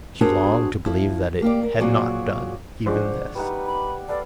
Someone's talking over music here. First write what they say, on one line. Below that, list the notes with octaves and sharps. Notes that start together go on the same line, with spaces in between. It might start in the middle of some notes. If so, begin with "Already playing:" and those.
She longed to believe that it had not done even this.
B3 D4 F#4 G#4 A#4 C5
F3 E4
A#3 G4 D5
A#4
A#2 F#3 C4 F#4 G#4 D5
F3 G#3 D4 C5 D5 F#5 C#6
G3 D#4 B4 F#5
B5 D6
A4 B4 D5 F5